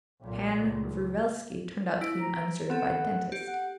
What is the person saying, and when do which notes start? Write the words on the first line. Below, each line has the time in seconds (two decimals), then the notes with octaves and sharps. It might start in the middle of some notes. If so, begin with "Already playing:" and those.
Pan Vrublevsky turned out to be an uncertificated dentist.
0.22 B1 A#2
0.62 C#2
2.01 E4 D7
2.20 A#5
2.70 B3 C4 A4 F#5
3.32 G4
3.47 F#5